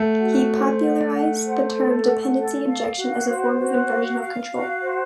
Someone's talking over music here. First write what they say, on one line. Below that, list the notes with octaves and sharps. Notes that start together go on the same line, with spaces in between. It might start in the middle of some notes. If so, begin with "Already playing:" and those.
He popularized the term Dependency Injection as a form of Inversion of Control.
Already playing: A3 F#5
F#4
C5
F#5
F#5
C5
A4
F#5
A4
F5
F#4
C5
F#4
F5
F5
F#4
C5